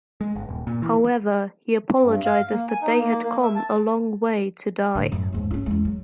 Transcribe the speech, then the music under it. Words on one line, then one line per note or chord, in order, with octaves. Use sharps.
However, he apologizes that they had to come a long way to die.
G#3
G1
D#1
A#2
E3
C4
G2
F5
A#3
G#5
D#4
A#3
A#3
E5
A5
A2 D3
F#2
D#2 G#2
C#4 E4
E2 G#3
F#3